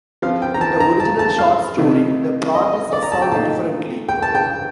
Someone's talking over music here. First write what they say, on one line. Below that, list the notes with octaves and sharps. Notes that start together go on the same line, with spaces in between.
In the original short story, the plot is resolved differently.
F3 C4 F4 F5
G5
A#5
A5
A#5
A5
A5
F5
C3 D#3 A3
D#5
D#5
D5
A#5
A5
G5
A#2 A3 D#4 A5
G5
A5
G5